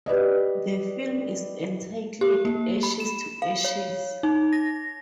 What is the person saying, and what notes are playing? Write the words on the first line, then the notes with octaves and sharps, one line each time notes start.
The film is entitled Ashes to Ashes.
G4 B4 D5 D#5
G4
A#3
B5
E7
F5
C#5
D#4
A#6